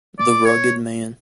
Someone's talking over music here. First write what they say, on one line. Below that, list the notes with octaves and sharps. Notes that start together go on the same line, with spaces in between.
The Rugged Man.
D5
C#5